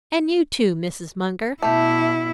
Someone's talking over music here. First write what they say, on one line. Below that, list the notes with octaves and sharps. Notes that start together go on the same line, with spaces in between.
And you too, Mrs. Munger.
B2 A3 E4 G4